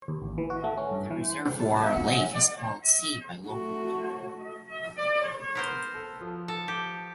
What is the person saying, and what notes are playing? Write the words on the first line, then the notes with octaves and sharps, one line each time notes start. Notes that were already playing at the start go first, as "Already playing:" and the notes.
The reservoir lake is called "sea" by local people.
D#2
A1
E3
F#4
A3
C#4
G2
E3
A4 E5
F5 A5
A4 C5 F#5 G#5
D#4 C#5 F#5 G#5
F#5
D#5
A3 F#4
B3 A#4 C5
A4
F3
A4
G4